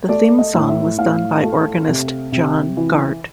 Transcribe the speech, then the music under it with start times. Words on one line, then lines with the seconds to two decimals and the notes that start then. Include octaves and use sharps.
The theme song was done by organist John Gart.
0.09 A3 D5
0.39 D#5
0.54 A2
0.69 E5
0.98 A2 F5
1.43 A3
1.88 C3
2.32 C3
2.77 E3